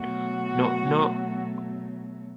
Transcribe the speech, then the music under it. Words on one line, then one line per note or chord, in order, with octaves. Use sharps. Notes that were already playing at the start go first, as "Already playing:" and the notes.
Knock, knock.
Already playing: B2 F#3 A3 F#4